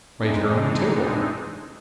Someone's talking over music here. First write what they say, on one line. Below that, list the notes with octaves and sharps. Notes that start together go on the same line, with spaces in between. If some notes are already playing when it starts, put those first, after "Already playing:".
Right here on the table.
E3 G#3 C4 D4 D#4